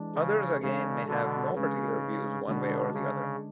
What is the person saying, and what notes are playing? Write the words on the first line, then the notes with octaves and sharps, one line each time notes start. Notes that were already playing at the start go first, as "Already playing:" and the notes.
Others again may have no particular views one way or the other.
Already playing: E3 G#3 D4
C#3
C#3 G#3 D4 A4
B2 D3
C#3 G#3 C#4 G#4 B4
B2 D3 G#3 D4
C#3